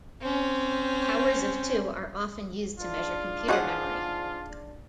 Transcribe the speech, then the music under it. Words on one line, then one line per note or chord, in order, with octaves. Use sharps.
Powers of two are often used to measure computer memory.
C4 C#4
G#2 D4 F4
F3 D#4 F#4 G#4 F#5